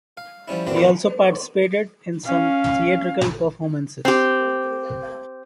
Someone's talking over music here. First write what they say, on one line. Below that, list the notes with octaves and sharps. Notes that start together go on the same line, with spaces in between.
He also participated in some theatrical performances.
F5
F3 G3 C#4 E4
F#2 A#2 E3 F#3 C4 D4
C#4 F5
C4 G4